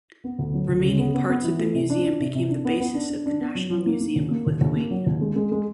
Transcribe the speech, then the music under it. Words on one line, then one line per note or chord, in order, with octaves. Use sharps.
Remaining parts of the museum became the basis of the National Museum of Lithuania.
B3
D2
F#3
D2
C#3
B3
B3
B3
E3
A3
C3
D4
D4
C3
C3
D4
B3
B3
D4
D4
D4
B3
F#3
F#3
A#3
A#3
D#2
A#3
D#2
D#2
A#3
F#3
D#2
G#3
G#3
G#3